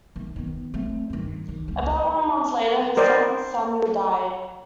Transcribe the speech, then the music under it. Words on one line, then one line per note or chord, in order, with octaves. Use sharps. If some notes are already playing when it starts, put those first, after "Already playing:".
About one month later, her son Samuel died.
D#3 A3
D#3 B3
A3 C4
G2 D#3
D#3
C#2 G#3
A#4 C5 D5 D#5 G5